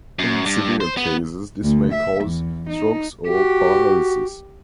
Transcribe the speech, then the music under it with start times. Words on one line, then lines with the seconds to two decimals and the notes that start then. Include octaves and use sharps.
In severe cases this may cause strokes or paralysis.
0.19 F#2
0.46 G2
0.80 C5
0.97 B3
1.63 D2
1.93 E5
2.25 E2
2.70 D#4
3.27 F#4 G4